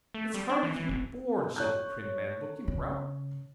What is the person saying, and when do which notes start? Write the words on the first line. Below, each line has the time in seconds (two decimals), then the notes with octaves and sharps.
'It's hardly to be borne,' said the prim man, looking round.
0.14 A3
0.34 G3
0.49 D4
0.63 E3
0.76 E3
0.89 F#1
1.56 C#5 F#6 G6
2.68 C#3